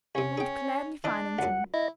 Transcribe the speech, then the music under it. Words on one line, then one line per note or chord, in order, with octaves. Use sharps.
I would gladly finance him.
C2 C3 C#4
G#4 G5
E3 D4 D#5
C#2 F#2 F#5
E4 D#5